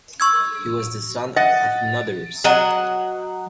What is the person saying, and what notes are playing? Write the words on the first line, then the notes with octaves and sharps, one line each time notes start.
He was the son of Athenodorus.
C#6 E6 G#6
D#5 F#5 A6
F#3 D#5 F#5